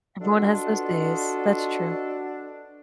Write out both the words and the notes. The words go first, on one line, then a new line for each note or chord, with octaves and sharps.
Everyone has those days. That's true.
D4 F4 F#4 A4 B4 D#5